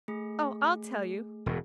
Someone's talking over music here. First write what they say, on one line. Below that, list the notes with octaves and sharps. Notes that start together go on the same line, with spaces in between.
Oh, I'll tell you!
A3 G#4
E1 A2